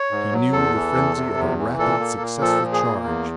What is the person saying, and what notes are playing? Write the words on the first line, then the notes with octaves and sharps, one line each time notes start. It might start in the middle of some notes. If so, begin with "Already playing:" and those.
He knew the frenzy of a rapid successful charge.
Already playing: C#5
G#2
F#3
E2 A4
E3
E2
C3
E2
E3
A#2 A4
A#3
A#2
F3 A4
A#2
G#4
A#3
E2